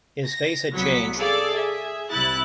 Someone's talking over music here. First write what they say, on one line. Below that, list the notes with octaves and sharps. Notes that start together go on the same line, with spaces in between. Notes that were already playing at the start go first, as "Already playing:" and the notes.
His face had changed.
A#6
C2 F#3 B3 B6 C#7
G#4 A4 D5 F5
G#4 E5
C2 C3 E4 F#6 A6